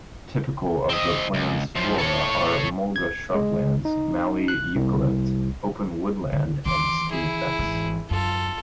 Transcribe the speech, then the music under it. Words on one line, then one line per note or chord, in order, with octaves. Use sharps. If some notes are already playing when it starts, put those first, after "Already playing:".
Typical of the plains flora are mulga shrub-lands, mallee eucalypt, open woodland and spinifex.
C4 D#5
C#2
F#2 F3
A4 C#5
G#6
G#3
D#4
F#6
C2
D3
D#3 E3 C6 D6
E4 G#4
G#1 E3
F#2 F4 A4